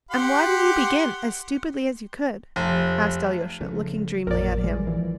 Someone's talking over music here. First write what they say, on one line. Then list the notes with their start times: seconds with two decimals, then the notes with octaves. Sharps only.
"And why did you begin 'as stupidly as you could'?" asked Alyosha, looking dreamily at him.
0.11 G4 F#5 C6
2.56 F1
3.61 C#3 F3 A3
4.27 A1 F2 A#2 A#4 D5
4.64 E3 G3 G#3
4.87 E3 F3